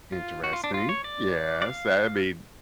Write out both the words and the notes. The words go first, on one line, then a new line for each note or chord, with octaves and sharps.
Interesting. Yes. That'd be
F4
F#4
F4
D4
F4
C#5
D5
D5
F5